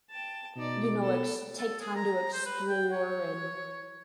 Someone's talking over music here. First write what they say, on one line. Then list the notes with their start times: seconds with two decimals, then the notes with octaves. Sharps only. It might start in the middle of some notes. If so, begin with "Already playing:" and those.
you know, ex take time to explore and,
0.10 G5 A5
0.56 B2 D#4 D5
1.02 B3 A4
1.59 A4
1.80 G#4
1.96 A#5
2.33 C5
2.46 B4
2.68 G5
2.93 C#5